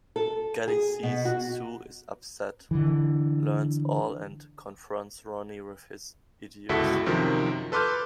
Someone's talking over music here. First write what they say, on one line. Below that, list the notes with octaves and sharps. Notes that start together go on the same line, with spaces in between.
Gally sees Sue is upset, learns all and confronts Ronnie with his idiocy.
A4
G#4
B2
F#4
D3 E3
G1 C#2 E4 F#4 A4 B6
F#2 C3 D#3 F3
A4 B4 C6 D6 F6 G6